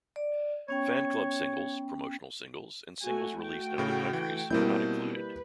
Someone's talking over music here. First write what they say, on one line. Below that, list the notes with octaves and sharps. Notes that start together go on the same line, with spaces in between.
Fanclub singles, promotional singles, and singles released in other countries are not included.
D5
B3 C#4 C#5 G5
A3 F#4 G#5
A3 F#4 G5
A2 C#3
E3
B2 G3 A#3 C4 E4 G6
B4